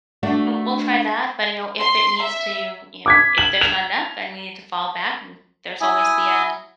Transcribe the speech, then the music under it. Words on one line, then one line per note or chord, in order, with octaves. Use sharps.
w we'll try that. But, you know, if it needs to you i if there's not enough and we need to fall back, um, there's always the, uh,
A3 D4 F#4
C6
E5
D6 G#6 B6
F#7
F7
E4 G#5 D#6